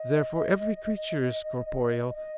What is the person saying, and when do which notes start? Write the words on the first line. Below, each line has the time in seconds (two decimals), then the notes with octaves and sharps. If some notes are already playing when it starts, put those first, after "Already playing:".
Therefore, every creature is corporeal.
Already playing: D#5
2.13 D#5